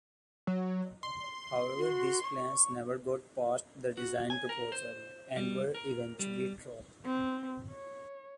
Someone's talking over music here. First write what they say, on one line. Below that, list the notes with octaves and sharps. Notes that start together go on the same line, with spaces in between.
However these plans never got past the design proposal, and were eventually dropped.
F#3
C6
F#4
C#6
F#4
G#5
A#4
C5
G3
A#4
G3
C4
C#5